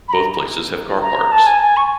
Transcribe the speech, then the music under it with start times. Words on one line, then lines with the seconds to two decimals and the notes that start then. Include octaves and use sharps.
Both places have car parks.
0.08 B5
0.13 A#5
1.02 A#5
1.32 A5
1.46 G#5
1.61 G#5
1.77 C#6